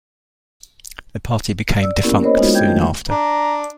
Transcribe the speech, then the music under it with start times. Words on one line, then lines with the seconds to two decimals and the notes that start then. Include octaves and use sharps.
The party became defunct soon after.
1.81 D5 E6
2.03 A#3 B3 C#4 E4 G4 A#4
2.23 A#4 C5 C#5 D#5 B5
2.38 G#3 B3 D#4 F4 F#4
2.54 D4 G5 G6 G#6
2.67 D#3 A3 F4
3.10 D4 A#5